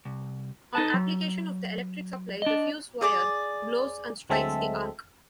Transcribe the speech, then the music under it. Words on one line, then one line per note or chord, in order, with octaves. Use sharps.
On application of the electric supply, the fuse wire 'blows' and strikes the arc.
C2
D#4 A4 B4 A5
F#3
D4 D#5
G#4 D5 D6
D2 F#3 G#3 C4 A4 E5